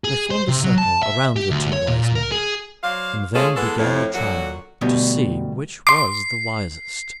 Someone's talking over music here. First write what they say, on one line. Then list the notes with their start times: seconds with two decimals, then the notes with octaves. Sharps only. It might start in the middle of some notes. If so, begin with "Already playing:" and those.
They formed a circle around the two wise men, and then began the trial to see which was the wisest.
0.04 G#4
0.31 C5
0.48 C3
0.64 F#3
0.78 A5
1.03 E5
1.36 G4
1.51 D2
1.73 C#5
1.87 A#2
2.15 A#4
2.32 G#4
2.83 F#3 C5 D5 F5
3.34 G#3 A3 C#4 F4 G#4 A4
3.56 E3 G#3 B3 A4
3.78 F2 A2
4.15 F#2 A#2 D3 F#3 A#3 F#4
4.81 D2 B2 G3
5.87 C6 D6 C7